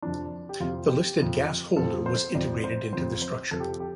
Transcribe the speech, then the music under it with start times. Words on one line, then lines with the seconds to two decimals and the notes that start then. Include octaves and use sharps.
A listed gas holder was integrated into the structure.
0.02 F2 C3 F3 D4
0.49 G4
0.60 F2 C3 F3 F4
0.89 G4
1.19 F2 C3 F3
1.77 F2 C3 F3 A4
2.06 C5
2.35 F2 C3 F3 D5
2.64 C5
2.93 F2 C3 F3 C5
3.22 C5
3.51 F2 C3 F3 A4
3.60 G4
3.69 A4
3.80 G4